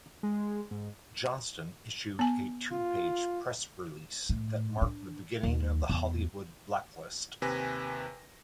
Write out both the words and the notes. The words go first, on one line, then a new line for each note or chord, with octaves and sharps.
Johnston issued a two-page press release that marked the beginning of the Hollywood blacklist.
G#3
G#2
B3 G#5
F4
A2
D4
D#2
E2
D#2 C3 B4 G#5 A#6